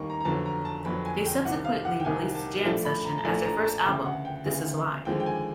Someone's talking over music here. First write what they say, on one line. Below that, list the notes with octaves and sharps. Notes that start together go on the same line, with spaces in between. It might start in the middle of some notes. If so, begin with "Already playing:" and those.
They subsequently released the jam session as their first album, This Is Live.
Already playing: D#2 D#3 G3 A#3 D#4 C#6
A#5
A#5
G1 F2 D3 F#3 A5
A#5
A5
G1 F2 D3 F#3 B5
G#5
G5
C2 C3 D#3 F#5
F5
F#5
G5
C2 C3 D#3 G#5
A5
A#1 A2 F3 A3 D4 A5
B5
A#5
A5
A#1 A2 F3 A3 D4 G#5
A#5
A5
D2 C#3 E3 G5
F#5
G5
D2 C#3 E3
D#2 D3 F3 G#3 C4 G5
G5
G#5